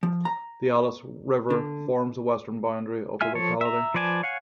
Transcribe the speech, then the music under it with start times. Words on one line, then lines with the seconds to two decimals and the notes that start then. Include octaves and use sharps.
The Alice River forms the western boundary of the locality.
0.03 F3
0.25 A#5
1.50 D3
3.21 F4 E5 G#5 F6
3.35 F3 A4 C#5
3.61 E5 A#5
3.94 F3 B4 D5 G#5 A5
4.23 C#5 F5 F#5 G#5